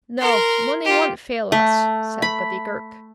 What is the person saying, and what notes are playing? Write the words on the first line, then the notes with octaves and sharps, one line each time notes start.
"No, Mooney won't fail us," said Buddy Girk.
A#4 C6
F4 G4
A3
B5